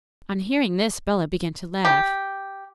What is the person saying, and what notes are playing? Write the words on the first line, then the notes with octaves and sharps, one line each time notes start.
On hearing this Bellah began to laugh.
G4